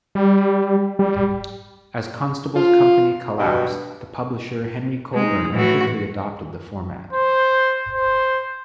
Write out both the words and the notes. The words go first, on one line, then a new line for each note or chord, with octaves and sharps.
As Constable's company collapsed, the publisher Henry Colburn quickly adopted the format.
G3
G3
F4
G2 B2
G#3 D#4
A2 E3 F#4
C5
C5